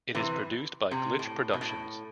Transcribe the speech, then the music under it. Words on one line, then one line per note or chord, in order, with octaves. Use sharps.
It is produced by Glitch Productions.
C3 E3
C3
A2
B2
A2